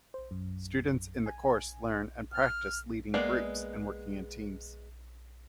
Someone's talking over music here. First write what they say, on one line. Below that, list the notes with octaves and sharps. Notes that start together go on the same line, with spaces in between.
Students in the course learn and practice leading groups and working in teams.
C5
F#2
G#5
F6
G#3 A#3 B3 G#4 D5